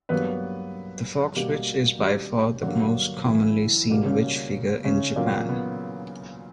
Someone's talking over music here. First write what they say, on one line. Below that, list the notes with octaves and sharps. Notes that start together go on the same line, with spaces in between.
The fox witch is by far the most commonly seen witch figure in Japan.
G2 F#3 A#3 B3 B4
B2 G3 A#3 G4
G3 G4
G2 D3 F#3 A#3 F#4
E3 E4
B2 G3 A#3
C#3 C#4
C#3 C#4
A#2 F#3 A#3
B3